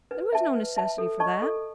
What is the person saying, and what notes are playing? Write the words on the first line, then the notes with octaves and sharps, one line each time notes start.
'There was no necessity for that.
B4
E5 A5
B4
E5 A5
A4
D#5 A5 C#6
A4